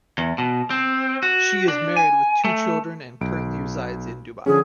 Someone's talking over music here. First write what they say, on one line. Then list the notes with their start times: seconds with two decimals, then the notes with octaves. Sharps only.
She is married with two children and currently resides in Dubai.
0.18 E2
0.38 B2
0.70 C4
1.23 F#4
1.68 D4
1.97 G#5
2.45 A3
3.21 B1 D7
4.46 D3 F3 C#4 G#4